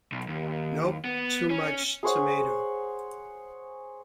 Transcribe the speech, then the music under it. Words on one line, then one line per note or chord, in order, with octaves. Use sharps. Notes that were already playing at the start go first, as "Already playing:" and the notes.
Nope! Too much tomato.
B1
D#2
B3
C#4
G#4 C5 C#5 F#5